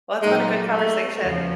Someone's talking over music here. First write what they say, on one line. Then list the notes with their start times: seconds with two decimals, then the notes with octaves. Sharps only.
Well, it's been a good conversation.
0.22 A#2 F#3 G#3 A#3 D#4
0.72 A3
1.21 E2 C#3 F3